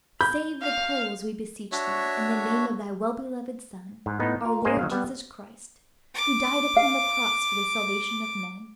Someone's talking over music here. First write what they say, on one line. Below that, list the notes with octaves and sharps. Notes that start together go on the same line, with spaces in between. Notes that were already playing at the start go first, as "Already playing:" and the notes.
Save the Poles, we beseech Thee, in the name of Thy well-beloved Son, our Lord Jesus Christ, who died upon the cross for the salvation of men.
B5 G6
F5
D4 F#4 C#5 E5
G#2
A2 B3 D#4
F4 A#4
G#2 G#3 A#3 G#4 C5 D#5
D#3 F#3 F5
G3 B3
D6
F5